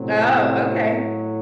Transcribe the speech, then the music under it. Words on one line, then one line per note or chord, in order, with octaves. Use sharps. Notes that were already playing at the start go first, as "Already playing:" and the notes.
Oh, okay.
Already playing: A2 C3 F#3 C4